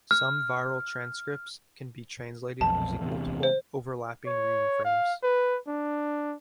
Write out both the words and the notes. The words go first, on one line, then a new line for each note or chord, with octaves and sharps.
Some viral transcripts can be translated using multiple, overlapping reading frames.
F6
B1 F2 A5
E2 C3
C5
C#5
F5
B4
D4